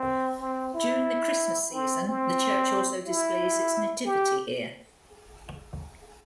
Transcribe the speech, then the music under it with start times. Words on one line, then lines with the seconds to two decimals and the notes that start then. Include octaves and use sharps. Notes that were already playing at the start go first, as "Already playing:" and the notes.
During the Christmas season, the church also displays its Nativity here.
Already playing: C4
0.41 C4
0.74 E4
1.74 C4
2.07 C4
3.06 E4
4.05 G4